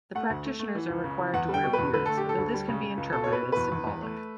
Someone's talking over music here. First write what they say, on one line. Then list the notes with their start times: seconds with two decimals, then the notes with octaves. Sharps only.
The practitioners are required to wear beards, though this can be interpreted as symbolic.
0.15 A3 F#5
0.30 D2
0.45 A3
0.59 A3
0.75 E3
0.90 C#2
1.04 C#3
1.19 E3
1.34 E2 F#5
1.49 G3
1.54 G5
1.64 B2
1.73 B4
1.79 E2
1.93 D3 B4
2.06 A3 A4
2.17 G4
2.23 D3
2.29 A4
2.38 D2
2.54 G3
2.69 C#3
2.83 C#3
2.98 C#2
3.13 B2 A4
3.24 B2 C#5
3.33 B4
3.43 B2
3.52 E2 B4
3.72 E2
3.87 E2
4.02 A3